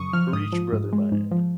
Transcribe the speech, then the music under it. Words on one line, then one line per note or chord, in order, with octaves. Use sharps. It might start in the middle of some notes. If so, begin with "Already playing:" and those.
preach, brother man.
Already playing: F#2 C#3 C#6 D#6
F3 F6
G#2 D#6
F3
G#2
G#3
G#2
F3